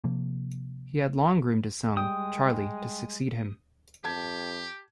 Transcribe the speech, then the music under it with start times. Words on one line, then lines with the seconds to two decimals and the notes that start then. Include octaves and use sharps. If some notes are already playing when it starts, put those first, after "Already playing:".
He had long groomed his son, Charlie, to succeed him.
0.04 C3 F3 A#3
1.97 G3 G#3 G5 D#6
4.04 F2 G4 A5 G#6